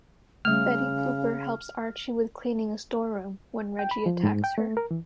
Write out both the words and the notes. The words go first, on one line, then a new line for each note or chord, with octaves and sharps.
Betty Cooper helps Archie with cleaning a store room, when Reggie attacks her.
C#3 G3 A3 F6
G5
B5
F3
G#2
G5
A3
A#4
E3